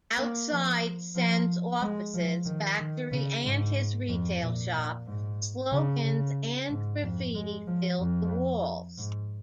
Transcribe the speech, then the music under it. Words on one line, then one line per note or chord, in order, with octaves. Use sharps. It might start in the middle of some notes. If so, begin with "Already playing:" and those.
Outside Sen's offices, factory and his retail shop, slogans and graffiti filled the walls.
A#3
F3
F3
G#3
F3
D#3
D#3
C#3
G#2
F2
A#2
A#2
G#2
C#3
C#3
G#2
F2
G#3
F3
F2
G#2